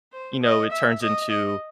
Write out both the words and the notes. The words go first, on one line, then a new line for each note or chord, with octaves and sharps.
you know, it turns into,
C5
D#5
E5
D#5
D#5